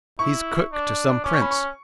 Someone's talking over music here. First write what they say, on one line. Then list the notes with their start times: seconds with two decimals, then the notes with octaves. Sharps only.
"He's cook to some prince."
0.19 E4 C#6
0.72 D4
1.24 C#4 D6
1.34 C#6
1.41 B5
1.51 C#6